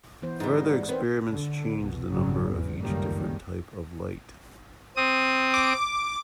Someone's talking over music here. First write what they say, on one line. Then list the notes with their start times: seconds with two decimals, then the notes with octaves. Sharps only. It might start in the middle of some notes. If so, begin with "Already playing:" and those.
Further experiments changed the number of each different type of light.
0.22 E3 B3 C5
0.40 G#2 G3 D#4
0.89 B3 C4 A#4 C5
1.31 D3
1.78 C2 B2
2.09 G#1 C#3 F#3 G3
2.47 E2
2.79 C#2 F#2 A2 D#3 G3 A#3
4.96 C4 D#6
5.54 D6